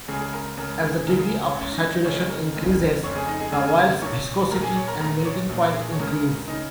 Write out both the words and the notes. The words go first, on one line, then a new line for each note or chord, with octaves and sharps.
As the degree of saturation increases, the oil's viscosity and melting point increase.
C#2 C#3 G#4 G#5
G#4 G#5
A#4 A#5
C#2 C#3 A#4
G#4
C#2 C#3 A#4
G#4
C#4 C#5
C#2 C#3 C#4 C#5
D#4 D#5
D#4 D#5
F1 F2 C#3 C#4 C#5
A#4
F1 F2 C#3 A#4
F1 F2 C#3 C#5 C#6
G#4 G#5
D#4 D#5
G#4 G#5
F1 F2 C#3 G#4 G#5
G#5
A#4 A#5
A#1 A#2 C#5 C#6
A#1 A#2 A#4 A#5
G#4 G#5
C#5 C#6
A#4 A#5
A#1 A#2 A#4 A#5
C#5 C#6
A#1 A#2
A#4
G#4
C#5
C#2 C#3 A#4
A#4
C#3 D#4 D#5